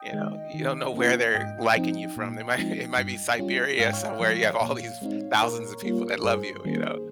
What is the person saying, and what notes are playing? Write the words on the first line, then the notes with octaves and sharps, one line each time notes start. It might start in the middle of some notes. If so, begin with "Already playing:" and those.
you know, you don't know where they're liking you from. They might it might be Siberia somewhere you have all these thousands of people that love you, you know?
Already playing: D#5 G5
D#3 G#3
D#3
A#3 C#4 F4
G#2 D#5 G5
F3 C4 D#4
A#2
F3 G#3 C4 D#4
G2
G3 C#4 F4
G#2 F5
G5
C#5 F5
F3 G#3
A#2
G#3 C4 D#4
A#2 A#4 C#5
G3 A#3 F4
G2 G#4 C5
D#3 G3 A#3 C#4